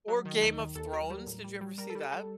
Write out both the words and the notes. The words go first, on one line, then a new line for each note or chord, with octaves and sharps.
Or Game of Thrones? Did you ever see that?
F#3
D#3
D#2 D#4
D#3
D#2 A4
F#3 A#4
G3
A2
G3
G3
G3 A#4
A4
G3
A4
G3 A4